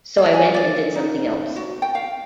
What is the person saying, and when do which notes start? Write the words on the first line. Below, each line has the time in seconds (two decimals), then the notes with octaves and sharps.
So I went and did something else.
0.18 G#4
0.34 G#5
0.54 D5
0.95 D#4
1.56 F#4
1.82 G5
1.95 F5